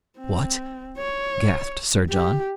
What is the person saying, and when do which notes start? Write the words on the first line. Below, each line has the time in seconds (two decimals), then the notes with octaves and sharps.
"What!" gasped Sir John.
0.18 C4
0.98 C#5
2.10 G4